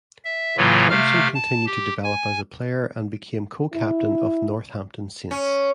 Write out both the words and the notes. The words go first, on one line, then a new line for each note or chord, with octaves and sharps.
Thompson continued to develop as a player and became co-captain of Northampton Saints.
E5
A2 C#3 E3 F#3 A#3 F4
C3 A3 F5 F6
A5
G4
G#5
E4
C#4